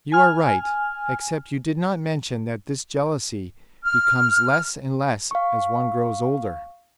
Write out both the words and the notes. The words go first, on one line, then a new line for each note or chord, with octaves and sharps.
You are right, except you did not mention that this jealousy becomes less and less as one grows older!
G#5 F6
F6
F5 C#6